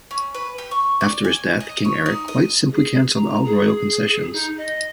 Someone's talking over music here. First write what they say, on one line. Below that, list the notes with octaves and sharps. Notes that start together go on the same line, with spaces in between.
After his death King Eric quite simply cancelled all royal concessions.
C#4
B4
G4
C#6
D5
G#5
D#5
C#5
D#4
D#5
G#4
A#5
G#4
D#4
D#5